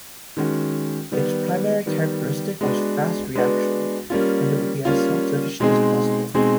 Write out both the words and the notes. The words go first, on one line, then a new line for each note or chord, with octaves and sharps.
Its primary characteristic was fast reaction, and it would be as self-sufficient as possible.
D#3 G#3 C#4 F#4
D#3 G3 B3
D#3 G3 B3
G#3 B3 D4 F#4 B4
G#3 B3 D4 F#4 B4
G3 A#3 C#4 F4
G3 A#3 C#4 F4
B2 G#3 C4 D#4 G#4
B2 G#3 C4 D#4 G#4